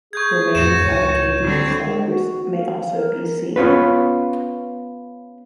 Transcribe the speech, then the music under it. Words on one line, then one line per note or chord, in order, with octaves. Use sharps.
Remains of Acadian cellars may also be seen.
G#4 C#6 G6 G#6
F2 A2 F#4 E7
C#2 A2 C#3 C#5
D3 G3 C4
G#3
F#4
F5
A#4
B3 C#4 F4 B4